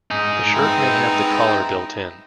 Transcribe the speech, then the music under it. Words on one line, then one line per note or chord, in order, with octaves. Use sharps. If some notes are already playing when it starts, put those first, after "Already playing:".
The shirt may have the collar built in.
D#4 G#4
B3 C4 E4